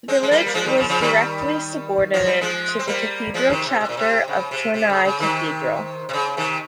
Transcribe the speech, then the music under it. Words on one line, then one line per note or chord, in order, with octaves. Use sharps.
The village was directly subordinate to the cathedral chapter of Tournai Cathedral.
G#3 C4
G#3
G3 A#3
A#3
F3 G#3
D#3 G3
C#3 F3
C#3 F3
D#3 G3
F3
G3
F3 G#3
C4
G3 A#3
F3 G#3
C3 D#3
C3
C3
A#2
C3
C#3
C3
C3
C#3
C#3
C3 D#3
C3
C#3
C3 D#3